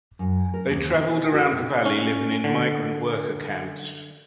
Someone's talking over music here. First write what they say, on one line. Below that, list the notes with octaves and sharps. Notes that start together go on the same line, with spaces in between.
They traveled around the valley living in migrant worker camps.
F#2
A#4
D#2
B2
F#4
C3
C#4
D3